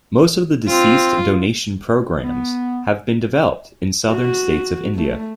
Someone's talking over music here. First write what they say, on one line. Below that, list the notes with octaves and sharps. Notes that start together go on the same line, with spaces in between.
Most of the deceased donation programmes have been developed in southern states of India.
C4 F4
B3
F#4
A3